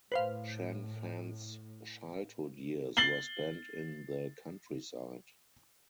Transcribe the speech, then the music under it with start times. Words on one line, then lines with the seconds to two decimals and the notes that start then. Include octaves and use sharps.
Shen Fan’s childhood years were spent in the countryside.
0.12 A2 B4 C5 F5
2.97 A6 C7 F#7 G7